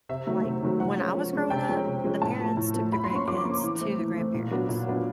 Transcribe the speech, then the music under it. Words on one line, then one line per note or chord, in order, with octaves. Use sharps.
like, when I was growing up, the parents took the grandkids to the grandparents.
C3 E5
D#3 F#3 A3
C3
D#3 F#3 A3
F3 F#5
G#3 C#4
F3
G#3 C#4
C3 G5
F3 G#3 C#4
C3
F3 G#3 C#4
A2 A5
F3 A3
A2
F3 A3
F3 B5
C6
A#3 C#4 C#6
F3 D6
A#3 C#4
E3
A3 C4
E3
A3 C4
A#2
F#3 B3 D4
A#2
F#3 B3 D4